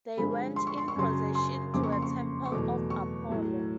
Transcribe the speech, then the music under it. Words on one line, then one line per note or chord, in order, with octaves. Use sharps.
They went in procession to a temple of Apollo.
G2 D3 F3 G#3 B5
C6
C#6
C6
C#6
F#2 C#3 F#3 C6
C6
F2 C#3 F3 A#3 D6
C#6
C6
C#6
C#6
E2 B2 F#3 A3 D6
C#6
A2 F#3 A3